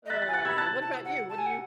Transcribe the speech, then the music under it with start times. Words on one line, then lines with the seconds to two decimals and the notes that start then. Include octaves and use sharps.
Uh, what about you? What do you
0.05 D#5
0.10 E5 F#6 A6
0.22 F#6 A6
0.28 G#5
0.33 F#5 F#6 A6
0.45 B5 E6 G#6
0.57 A5 F#6 A6
0.82 A5
1.05 F#5
1.29 A5
1.38 G#5
1.46 F#5